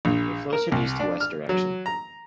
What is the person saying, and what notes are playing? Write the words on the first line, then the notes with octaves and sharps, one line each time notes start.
It flows from east to west direction.
A#1
A#4
C2
D4
F6
F#3
A#5